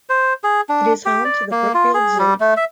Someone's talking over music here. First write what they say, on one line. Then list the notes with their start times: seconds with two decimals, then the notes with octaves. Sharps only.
It is home to the Brookfield Zoo.
0.09 C5
0.44 G#4
0.69 D4
1.06 G4
1.25 D5
1.52 A#3
1.74 F4
1.94 G#4
2.19 G3
2.40 A3
2.57 E5